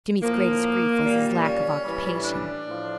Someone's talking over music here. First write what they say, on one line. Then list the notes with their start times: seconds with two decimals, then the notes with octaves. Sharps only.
Jimmy's greatest grief was his lack of occupation.
0.22 A2 F3 A#3
1.04 A#2 G3
1.44 C#4
1.84 A2 E3 G3
2.25 D4
2.65 A2 F3